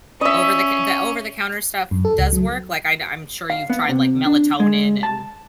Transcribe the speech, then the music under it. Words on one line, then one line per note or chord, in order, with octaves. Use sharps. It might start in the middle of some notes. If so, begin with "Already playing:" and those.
over the c the over-the-counter stuff does work? Like I'd I'm sure you've tried like melatonin and
C#4 D#5 E5
F#2
A4
C#2
F#3
F5
B3
C3
D4
G#3
A5